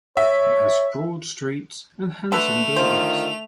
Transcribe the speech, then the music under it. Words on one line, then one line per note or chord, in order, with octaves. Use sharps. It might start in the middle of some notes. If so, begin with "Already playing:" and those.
It has broad streets and handsome buildings.
C#5 E5
D3 A3 A4 B4 F7
D3 D#3 F4 C5